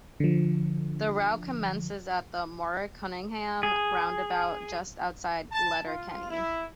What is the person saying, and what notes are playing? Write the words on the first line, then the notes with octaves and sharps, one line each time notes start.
The route commences at the Manorcunningham Roundabout just outside Letterkenny.
D3 F3
G#4
A5
F4
E4